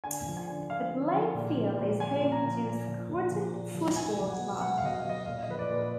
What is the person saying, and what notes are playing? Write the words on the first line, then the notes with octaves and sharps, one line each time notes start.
The playing field is home to Scruton Football Club.
D3 G#5
F3
G#5
D3
F3 F5
D3
F3
A#2
F3
A#2
F3 G#5
A#2
A#5
F3
A#2
F3
A#2
F3
A#2
F3
B2 G#5
F#3
F#5
B2
F#3 F#5
F5
B2 D#5
F5
F#3
D#5
A#2 F5
D#5
F3 B4
D5
A#2
B4